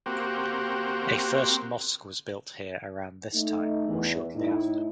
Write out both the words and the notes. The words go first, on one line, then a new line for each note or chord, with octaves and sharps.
A first mosque was built here around this time or shortly after.
A#3 C4 F#4 G4
A3 D#4
E2
A2 D#4 E4